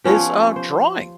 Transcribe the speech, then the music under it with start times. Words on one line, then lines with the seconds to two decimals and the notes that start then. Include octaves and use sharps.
is, uh, drawing,
0.04 F3 B3 C#4 G4
0.56 C5